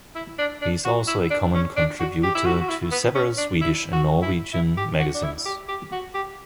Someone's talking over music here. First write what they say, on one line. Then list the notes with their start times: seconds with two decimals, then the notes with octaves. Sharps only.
He is also a common contributor to several Swedish and Norwegian magazines.
0.15 E4
0.39 D4
0.62 D4
0.85 F#4
1.07 E4
1.30 D4
1.54 C#4
1.76 D4
2.00 F#4
2.23 G4
2.35 E4
2.45 F#4
2.61 F#4
2.69 E4
2.92 B3
3.15 C#4
3.38 D4
3.61 E4
3.93 F#4
4.22 E4
4.54 E4
4.77 G4
4.99 F#4
5.14 D4
5.23 E4
5.46 G4
5.68 G4
5.92 F#4
6.14 G4